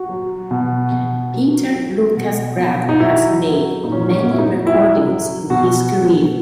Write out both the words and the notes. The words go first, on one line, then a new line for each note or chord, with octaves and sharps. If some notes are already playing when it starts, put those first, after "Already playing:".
Peter-Lukas Graf has made many recordings in his career.
Already playing: F#4
F#3
B2
B2
F#3
F#3
B2
B2
D#4
F#3 E4
F#3
A#2 D#4
C#4
D#4
C#4
A#2 F#4
E4
D#4
F#3 E4
F#3
B2 F#4
B2 G#4